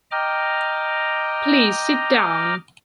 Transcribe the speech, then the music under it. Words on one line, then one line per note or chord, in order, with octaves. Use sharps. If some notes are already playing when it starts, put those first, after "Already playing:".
Please sit down.
D#5 G5 A#5 D6 F6